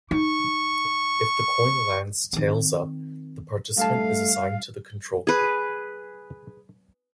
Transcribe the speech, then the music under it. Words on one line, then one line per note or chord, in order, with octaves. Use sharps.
If the coin lands tails-up, the participant is assigned to the Control Group.
D#4 C#6
D#3 C4
G2 A3 F5 A5
G#4 B4